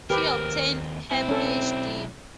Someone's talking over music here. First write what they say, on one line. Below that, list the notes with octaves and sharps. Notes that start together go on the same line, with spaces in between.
She obtained her Phd.
D#2 C4 G4 A#4 B4
B1 C4 E4
C#4 A4